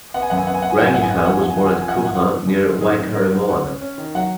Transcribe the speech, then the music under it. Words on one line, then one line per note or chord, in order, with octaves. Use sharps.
Rangihau was born at Kuha near Waikaremoana.
B3 F#5
G#5
F#2 F#5
G#5
B3 F#5
G#5
B3 F#5
G#5
F#5
F#2 G#5
F#5
B3 G#5
F#5
F3 G#5
F#5
F3 G#5
F#5
F#2 G#5
F#5
F3 G#5
F#5
F3 G#5
F#5
F#2 G#5
F#5
F3 F#5
F3
F#2
F#2
D#3 G#4
F#2
C#4 A#4
F#3
C#4 F#5
C#4
C#4
D#3
F#3 F#5